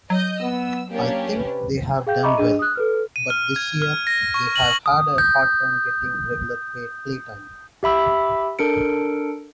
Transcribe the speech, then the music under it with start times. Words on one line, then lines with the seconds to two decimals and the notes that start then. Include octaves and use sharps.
I think they have done well, but this year they have had a hard time getting regular playtime.
0.10 F#3 D#5 G6
0.40 B3 E6
0.91 A#3 C#4 D4 G4
1.35 C3 B4
2.07 G#4 F5 G5 G6
2.23 D#5 E5 A#5 B5 C#6 D6
2.37 D4 G#4 D#5 D#7
2.59 D#6 F#6
2.75 A4 B4 F6
3.16 D#7
3.30 F6
3.56 G#6
3.82 F6
4.07 A#6
4.34 C#6
4.56 F#7
4.86 D#6
5.18 G6
7.83 G4 E5 B5 E6
8.59 D4 A4 A#4 C#7 D7